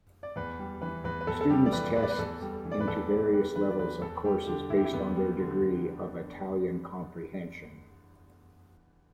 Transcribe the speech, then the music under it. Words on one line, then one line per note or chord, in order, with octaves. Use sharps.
Students test into various levels of courses based on their degree of Italian comprehension.
D5
E2 B4
G3
E3 B4
E2 B4
B4
E2 A4
A4
G3 G4
D5
E3 B4
E2 B4
D5
B4
E2 A4
G3
E3
D5
B4
E2 A4
E2 D5
G3 B4
E3 B4
D5
E2 B4
E2 A4
G3 G4
D3 G4
E2 E4
G4
E4
E2 B3
G3
D3